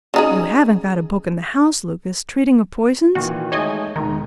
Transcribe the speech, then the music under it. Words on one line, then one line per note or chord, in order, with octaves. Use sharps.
"You haven't got a book in the house, Lucas, treating of poisons?"
C#3 D#4 G#4
A#2 D#3 E3 F#4
G#3 A3 D#4 C#5 D#5 G#5
E1 G#2 D#3 A#5